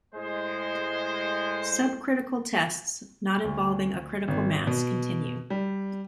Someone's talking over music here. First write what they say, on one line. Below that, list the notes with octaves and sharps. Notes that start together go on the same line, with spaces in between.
Subcritical tests not involving a critical mass continue.
A2 G#3 C5
D2
G#1
B2
G3